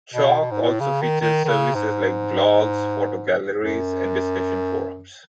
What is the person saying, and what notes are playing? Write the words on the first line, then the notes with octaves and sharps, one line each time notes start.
Chowk also features services like blogs, photo galleries and discussion forums.
B2
B2
G#2
A2
C#3
D#3
D#3
D#3
C#3
G#2
F#2